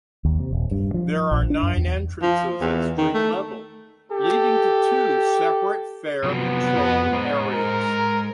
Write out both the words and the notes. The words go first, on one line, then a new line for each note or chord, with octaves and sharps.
There are nine entrances at street level, leading to two separate fare control areas.
D#2
C3
D#1
G2
F3
A#1
D4
F#2
E2
F3
E2
D#3
A3
G4 A4
C3 F3 F#3 B3
F2 F3
G#3 C5 D#5
A#4